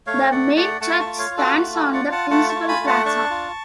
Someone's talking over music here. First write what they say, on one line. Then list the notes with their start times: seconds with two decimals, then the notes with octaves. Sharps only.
The main church stands on the principal plaza.
0.07 A3 C#5 F5
0.31 A3 D5 F#5
0.57 A3 D5 F#5
0.81 A3 F#5 A5
0.99 A5 C#6
1.06 F4
1.19 C#5 F5
1.31 F4
1.37 F#4 A4
1.56 A3 F#4
1.74 F#4 A4
1.81 F4
1.93 D5 F#5
2.06 F4
2.12 F#5 A5
2.31 A3 F#5 A5
2.49 A5 C#6
2.55 F4
2.68 G#5 B5
2.80 A3
2.87 F#5 A5
3.05 D4 A5 C#6
3.30 F4